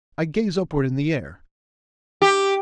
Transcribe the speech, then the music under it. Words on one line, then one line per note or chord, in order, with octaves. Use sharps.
I gaze upward in the air.
G4